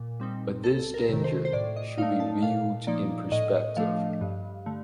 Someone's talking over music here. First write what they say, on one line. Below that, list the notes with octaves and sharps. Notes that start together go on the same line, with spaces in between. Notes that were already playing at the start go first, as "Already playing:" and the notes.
But this danger should be viewed in perspective.
Already playing: A#2
G3 C4 D#4
C2 A4
A#4
C3 D#3
C5
C5
A2 D5
D#5
A3 D#4 F5
A5
A#2 F5
F3 A#3 D#4 D5
A2 D#5
F3 A3 D4 F5
G2
D3 A3